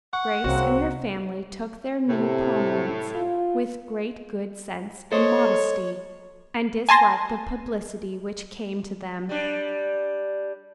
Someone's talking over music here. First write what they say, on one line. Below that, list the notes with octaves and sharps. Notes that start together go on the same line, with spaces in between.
Grace and her family took their new prominence with great good sense and modesty, and disliked the publicity which came to them.
F#5 C#6
C2 C#3 A#3 C4 F#4
A2 C3
F4
A4 C5 C#5 D#5
G#5 A5 C6 A#6
G3 D4